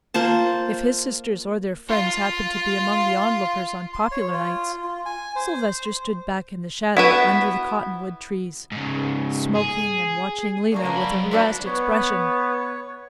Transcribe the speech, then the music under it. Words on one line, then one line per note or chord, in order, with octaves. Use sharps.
If his sisters or their friends happened to be among the onlookers on "popular nights," Sylvester stood back in the shadow under the cottonwood trees, smoking and watching Lena with a harassed expression.
A#3 F4 C5 A5
F4 C6
C6
C#5
F4
F4
G#5
C5
B3 E4 F#4 B4 E5
G#2 C#3
G#4
D3 A3 A#3
C#2 C4 A#4
F#3 B5
C4 D4 E4 F#4 B4
B3 C#5